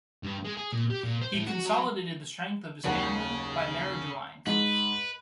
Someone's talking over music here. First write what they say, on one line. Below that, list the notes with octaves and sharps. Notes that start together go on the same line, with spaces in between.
He consolidated the strength of his family by marriage alliances.
G2
G#3
G#4
A#2
G4
A#2
C5
A2
F#4
F#3
F#1 D#2 C#3 F#5
G#2 B4